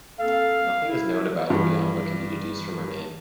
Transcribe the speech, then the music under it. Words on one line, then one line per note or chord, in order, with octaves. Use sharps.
Nothing is known about her beyond what can be deduced from her name.
A#3 C4 A4 F5
E4
G2 E3 G3